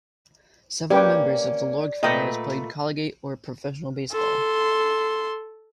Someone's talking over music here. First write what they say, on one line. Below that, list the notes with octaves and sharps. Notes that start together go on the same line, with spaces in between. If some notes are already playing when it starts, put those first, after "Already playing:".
Several members of the Iorg family have played collegiate or professional baseball.
A#3 C#4 G4 B4 D5 G5
A#2 A3 B4 D#5 G5
A4 C6